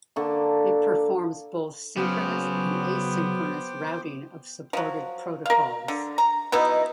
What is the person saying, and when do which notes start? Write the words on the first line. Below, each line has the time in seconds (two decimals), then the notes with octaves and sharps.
It performs both synchronous and asynchronous routing of supported protocols.
0.16 D3 A#3 A4 C#6
1.97 C#3 F#3 B3 C5 G5 D6
4.73 F3 F#3
5.46 A#4 F5
5.88 D3
6.18 A#5
6.52 B2 B3 D#4 E4